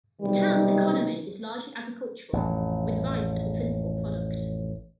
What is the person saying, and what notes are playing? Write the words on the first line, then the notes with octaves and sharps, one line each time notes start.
The town's economy is largely agricultural, with rice as the principal product.
B1 C3 D#3 G3
A1 F2